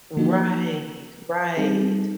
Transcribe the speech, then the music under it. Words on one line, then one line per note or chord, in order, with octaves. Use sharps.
Right, right,
F3 A#3 D#4 F#4
G3 C4 D#4 G#4